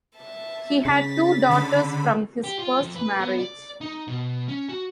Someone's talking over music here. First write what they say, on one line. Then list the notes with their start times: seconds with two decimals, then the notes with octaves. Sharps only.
He had two daughters from his first marriage.
0.16 E5 A5
0.85 C#3 A6 B6
1.49 D3 B5
2.44 G4
2.59 F4
2.81 F2
2.95 B4
3.20 B3
3.38 D5
3.81 D#4
4.08 B2
4.48 C#4
4.69 F#4